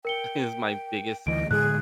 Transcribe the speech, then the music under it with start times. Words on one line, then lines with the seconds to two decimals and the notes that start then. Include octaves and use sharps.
is my biggest
0.05 A#4 G5 C#7 G7
1.27 D2 E3 D#5 D7
1.51 A2 D3 G#3 G#4 F#6